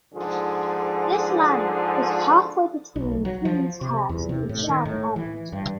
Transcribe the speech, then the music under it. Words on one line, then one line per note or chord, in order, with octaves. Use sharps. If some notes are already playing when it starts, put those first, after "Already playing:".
This land was halfway between Kingshurst and Shard End.
G#2 D3 F3 G#4
B1
F#3
F3
C3
E2
C3
A2
D#3
A2
E3
G2